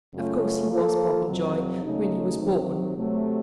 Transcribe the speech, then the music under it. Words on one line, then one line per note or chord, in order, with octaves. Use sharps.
Of course he was Popenjoy when he was born.
F#2 C#3 A3 C#4 F4
F3 A#3 F4 A4
F2 C3 F#3
D#2 C#3 A3 D#4
C3 D#3 F#3
C3 F#3 A3